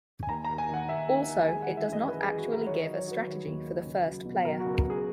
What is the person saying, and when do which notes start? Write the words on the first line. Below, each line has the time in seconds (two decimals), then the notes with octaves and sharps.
Also, it does not actually give a strategy for the first player.
0.23 G#5
0.29 D#2 A#5
0.45 D#2 A#5
0.58 G#5
0.69 D#3
0.74 F#5
0.89 D#2 E5
1.09 D#3
1.28 D#3
1.48 G#3 G#5
1.62 F#5
1.68 E3
1.77 E5
1.88 F#2 D#5
2.08 G#3 B4
2.22 G#4
2.28 E3
2.38 F#4
2.48 E3 A#4
2.67 D#3 C#5
2.82 F#3 D#5
2.96 C#5
3.07 F#3 B4
3.27 D#3
3.46 D#2
3.67 D#3
3.86 C#2
4.06 F#3
4.25 B2
4.45 F#3 A#4
4.60 F#4
4.66 C#2
4.75 A#4
4.85 C#2 G#4